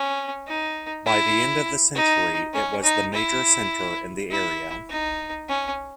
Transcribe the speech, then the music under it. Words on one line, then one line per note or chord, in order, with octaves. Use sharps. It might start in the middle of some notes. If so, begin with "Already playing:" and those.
By the end of the century it was the major centre in the area.
Already playing: C#4
D#4
E4
D#4
C#4
D#4
E4
E4
D#4
C#4